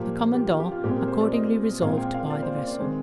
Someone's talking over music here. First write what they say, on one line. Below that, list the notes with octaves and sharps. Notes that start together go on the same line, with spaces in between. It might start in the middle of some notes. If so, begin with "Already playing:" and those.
The commandant accordingly resolved to buy the vessel.
Already playing: A#2 F3 A#3 G4
G4
F4
G4
F4
A#2 G#3 C4 G4
A#4
C5
D5
D#5
A#2 G#3 C4 F5
G5
F5
D5
C5
D5
D5
D#3 G#3 C4 C5